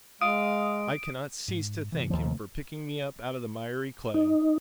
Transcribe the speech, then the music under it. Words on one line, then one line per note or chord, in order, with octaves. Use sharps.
I cannot cease to thank Him for picking me up out of the miry clay.
G#3 F5 D#6 D7
G#2
G2 C3 E3
D#2 F3
C3 A3
D#4